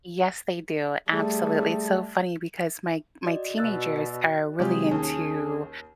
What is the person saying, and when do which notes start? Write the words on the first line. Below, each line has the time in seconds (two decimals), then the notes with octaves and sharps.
yes they do, absolutely, it's so funny because my my teenagers are really into,
1.10 G3 A3 G#4
3.25 F#4 D5 D#5
3.58 B2 E6 F#6 A6
4.60 C3 F#3 G#3 F4 G4 G#4 D5 D#6
4.91 D#2 D#3 C#4 A5